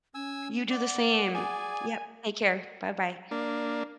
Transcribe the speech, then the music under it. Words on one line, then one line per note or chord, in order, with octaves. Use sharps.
You do the same. Yep, take care, bye-bye.
C#4 G#5 E6
D5 F#5
G#4 D5 G#5
A#3 D4